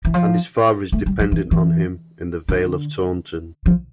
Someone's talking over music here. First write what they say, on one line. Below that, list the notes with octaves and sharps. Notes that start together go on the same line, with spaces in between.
And his father is dependent on him in the Vale of Taunton.
E3
F3
A3
G3
F3
E3
E3
D3
F3